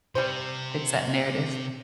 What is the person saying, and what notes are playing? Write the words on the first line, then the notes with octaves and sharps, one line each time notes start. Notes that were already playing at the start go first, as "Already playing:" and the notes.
Fits that narrative.
C3 G3 C5